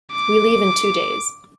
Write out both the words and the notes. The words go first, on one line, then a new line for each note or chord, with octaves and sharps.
We leave in two days.
D6